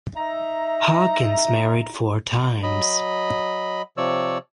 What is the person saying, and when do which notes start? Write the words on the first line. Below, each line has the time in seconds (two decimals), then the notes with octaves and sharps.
Hawkins married four times.
0.17 D#4 E5 A#5
2.63 F#3 D#5 B5
3.97 C3 F3 C#5 D5 E6